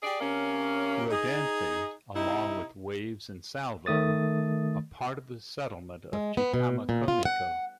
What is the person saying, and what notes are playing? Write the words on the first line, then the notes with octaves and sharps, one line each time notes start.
Rodanthe, along with Waves and Salvo, are part of the settlement of Chicamacomico.
G4 G#4 D5
C3 A#3 C#4
D#4 G#4
C3 D#4 E4
D#3 A3 D#6 A6
G#3
B3
B2
A#2
F4
F#5